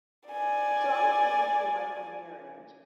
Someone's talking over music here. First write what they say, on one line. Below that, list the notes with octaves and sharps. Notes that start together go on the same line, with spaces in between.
So, I would think in like a marriage
D5 G#5